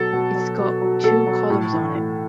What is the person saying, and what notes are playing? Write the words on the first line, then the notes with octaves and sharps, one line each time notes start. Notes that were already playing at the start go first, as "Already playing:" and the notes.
It's got two columns on it.
Already playing: B2 F#3 A4
B2
F#3
B2
F#3
B2 A4
F#3
A2
E3
A2